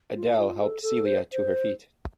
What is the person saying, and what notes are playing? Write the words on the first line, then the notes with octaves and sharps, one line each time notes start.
Adele helped Celia to her feet.
F4
F4
A4
A4
C5
C5